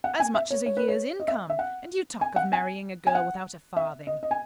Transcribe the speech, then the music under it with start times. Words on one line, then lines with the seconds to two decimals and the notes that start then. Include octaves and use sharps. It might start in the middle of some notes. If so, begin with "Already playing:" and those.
"As much as a year's income;--and you talk of marrying a girl without a farthing."
0.04 F#5
0.20 G#5
0.35 E5
0.51 C#5
0.66 C#5
0.77 B4
0.88 C#5
1.20 D#5
1.28 E5
1.50 E5
1.59 F#5
2.21 G#5
2.36 F#5
2.53 G#5
3.07 G#5
3.15 F#5
3.77 E5
4.07 D#5
4.23 D#5
4.31 G#5